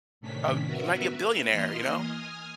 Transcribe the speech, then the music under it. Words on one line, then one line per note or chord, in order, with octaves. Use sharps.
uh, you might be a billionaire, you know?
A2 C3 D#3 C#4 D4 B6
B3 F#4 A#4 B4 E5
B4 E5
E3 A#3 D#5 C6 F6
G#5 D#6 F6